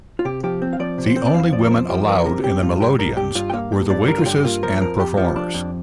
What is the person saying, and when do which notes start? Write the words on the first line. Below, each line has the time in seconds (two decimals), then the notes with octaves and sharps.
The only women allowed in the melodeons were the waitresses and performers.
0.19 F4
0.25 C3 G4
0.44 F3 G4
0.62 C4
0.73 F5
0.80 F3 D5
0.98 C3
1.07 C5
1.16 C4
1.27 D5
1.34 F2 F5
1.52 F3 D5
1.67 A#4
1.71 F2 C5
1.89 F3 G4
2.07 F2 A#4
2.26 C3 A#4
2.44 G2 G4
2.62 G2 F4
2.80 G2 G4
2.98 G2 A#4
3.17 G2 G4
3.35 G2 F4
3.50 G5
3.53 A#3 F5
3.72 G2
3.90 G2 D5
4.08 D3 A#4
4.18 F4
4.26 G2 G4
4.45 A#3 F4
4.63 F3 A#4
4.81 F2 A#4
4.99 F2 G4
5.17 F3
5.36 D4
5.54 F2